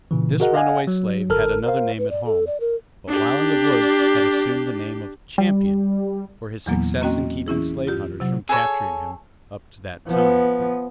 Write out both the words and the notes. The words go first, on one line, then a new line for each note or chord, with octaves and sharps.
This runaway slave had another name at home, but while in the woods had assumed the name of Champion, for his success in keeping slave hunters from capturing him up to that time.
A#2 C#3 E3
F#4 G#4 A#4 D#5 F#5
D#5 F5 F#5 G#5
F#3
G1 A4 A#4 F6
A#4 C5 F5
B4
D5
A4
D5
A#4
D4 G4
G3
E2 A#2 E3 F#3 A#3 B3
A#3 C4 C#4 F#4 D#5 G5
E3 C#4 E4 G#4
F4 G4
C3 F#3
G#4 A4 B4 C#5
F3 B3